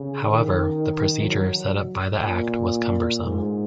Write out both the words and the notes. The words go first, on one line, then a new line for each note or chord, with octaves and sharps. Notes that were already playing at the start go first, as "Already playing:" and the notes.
However, the procedure set up by the Act was cumbersome.
Already playing: C#3
D#3
F#3
A#2
G#2